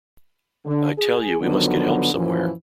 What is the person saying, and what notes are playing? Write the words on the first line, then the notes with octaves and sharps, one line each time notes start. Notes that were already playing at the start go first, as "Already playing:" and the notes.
I tell you we must get help somewhere.
D3
G#4
D3 D#3 F3 F#3 B3
F#2 A#2 E3 F3